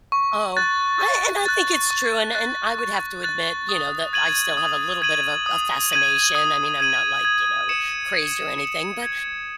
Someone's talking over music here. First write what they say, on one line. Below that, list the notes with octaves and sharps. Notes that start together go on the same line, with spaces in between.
Oh, I and I think it's true, and and I would have to admit, you know, that I still have a little bit of a a fascination, I mean, I'm not, like, you know, crazed or anything, but
C#6
F#6 A6
C#6
F#6 A6
C#6
F#6 A6
C#6
F#6 A6
D#6
G#6 D#7 F#7
D#6
G#6 D#7 F#7
D#6
G#6 D#7 F#7
D#6
G#6 D#7 F#7
G#6
C#7 E7
G#6
C#7 E7
G#6